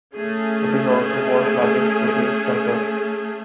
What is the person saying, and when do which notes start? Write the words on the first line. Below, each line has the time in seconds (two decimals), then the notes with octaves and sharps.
It is also the world's largest Buddhist temple.
0.15 A3 C#4 G#4